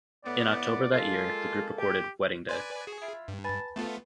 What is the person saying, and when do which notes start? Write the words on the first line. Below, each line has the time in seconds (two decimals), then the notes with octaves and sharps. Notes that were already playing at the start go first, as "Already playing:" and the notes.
In October that year, the group recorded "Wedding Day".
0.25 A2 B3 D5
0.92 G#3 A#3 F4 A4
1.79 G4
2.49 B4 D5 G#5 C6
2.87 F#4 G#4
3.02 E4 F4 B5
3.28 G2
3.44 B4 G#5 A5 B5
3.76 A3 B3 F4 A4 C5